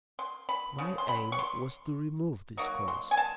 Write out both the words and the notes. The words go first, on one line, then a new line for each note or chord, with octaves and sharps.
My aim was to remove this cause.
C6
B5
C#3 F3
C6
B5
C#6
C6
F#3 A#3 D#4 C#6
C6
G#5
A5